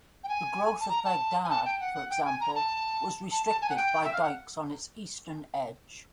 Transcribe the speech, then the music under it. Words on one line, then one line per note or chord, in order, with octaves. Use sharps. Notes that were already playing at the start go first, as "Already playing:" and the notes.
The growth of Baghdad, for example, was restricted by dikes on its eastern edge.
G5
G#5
A5
A#5
A5
G#5
A5
G5
F#5
F#5
G5
G#5
A#5
A5
A5
A5
G#5
F#5
G5
E5
F5
F#5